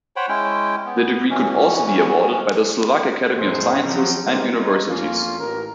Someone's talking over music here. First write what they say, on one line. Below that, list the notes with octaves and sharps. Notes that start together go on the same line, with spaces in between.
The degree could also be awarded by the Slovak Academy of Sciences and universities.
C5 C#5 F#5 G5 B5
G#3 C#4 E4 G5
B3
B2 E3 C#4
F2 A2 D#3 G#4 C5
C#3 F3 F#3 C4
E3 G3 G#3 A#3 C4
A#3 C#4 D#4 F4 G#4 B4
F2 A#3 C#4 F4
A1 A#4